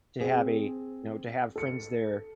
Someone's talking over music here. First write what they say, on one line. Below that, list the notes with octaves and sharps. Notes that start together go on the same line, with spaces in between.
to have a know, to friends there.
C4 G#4
A4 C#7